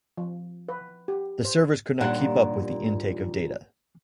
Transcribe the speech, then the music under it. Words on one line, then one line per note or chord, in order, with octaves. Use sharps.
The servers could not keep up with the intake of data.
F3
B4
G4
C5
D#2 A#2 G3 D4 F#5